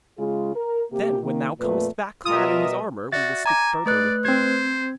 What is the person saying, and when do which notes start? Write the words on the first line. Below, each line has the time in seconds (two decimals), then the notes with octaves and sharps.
Then when thou comest back clad in his armour, we will speak further with thee.'
0.18 C#3 G#3 F4 G#4
0.55 A#4
0.92 C3 A#3 G4
1.23 D#3 A#3
1.59 F2 A#2 A3 B4
2.25 B2 G3 F4 A#4 E5 D#6
3.12 F#4 D5 E5 A6
3.46 G#5 A#5 D6 A#6
3.86 A3 B4 D5 F#6
4.25 C4 C5 G#6